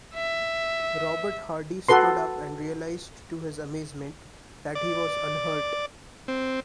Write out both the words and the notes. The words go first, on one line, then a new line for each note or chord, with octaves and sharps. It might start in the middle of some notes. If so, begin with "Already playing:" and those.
Robert Hardy stood up and realised to his amazement that he was unhurt.
E5
F#4 A4 B4 C6
D5
C4